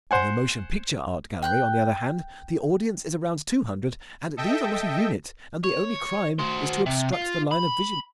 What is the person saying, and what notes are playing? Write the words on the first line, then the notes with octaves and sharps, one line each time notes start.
In the motion picture art gallery, on the other hand, the audience is around two hundred, and these are not a unit, and the only crime is to obstruct the line of vision.
C5 F#5 G#5
G5 F#6 G6
A4 D#5 E5 G5
C#5
F#4 C5
C3
F4
B5